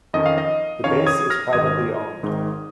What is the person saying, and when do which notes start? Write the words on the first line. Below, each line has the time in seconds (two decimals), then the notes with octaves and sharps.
The base is privately owned.
0.14 F2 D#3 C#4 D#5
0.26 F5
0.38 D#5
0.84 F2 D#3 C#4 C#5 F5
1.06 D#6 G#6
1.30 F6 A#6
1.53 G#1 G#2 D#3 G#3 D#6 G#6
2.22 G#1 G#2 D#3 G#3